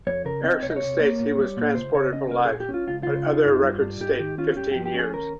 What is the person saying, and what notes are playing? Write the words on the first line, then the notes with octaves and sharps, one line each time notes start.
Erickson states that he was transported for life, but other records state fifteen years.
F2 C#5
C#3 A#4
C4 D#5
C2 C#5
D#5
C#5
C3
A#3
A#2
G3
A#2
C#2 C5
C#3 C#5
C#4 D#5
C2 A#4
G#4
A#2
G4
C#4
F4
C#2 F4
C#3 F4
D#4
G2
G3
G2
G#2 G4
D#3 G4
C#4 F4
G2 G4
F3 G4
G4
C#4 G#4
D#2 A#4